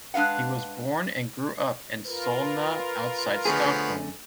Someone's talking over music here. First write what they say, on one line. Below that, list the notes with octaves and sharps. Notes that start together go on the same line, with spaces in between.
He was born and grew up in Solna outside Stockholm.
G#3 D4 B4 F5 F#5
F4 A#4 B4
D3 F3 A3 B3 G#4 C#5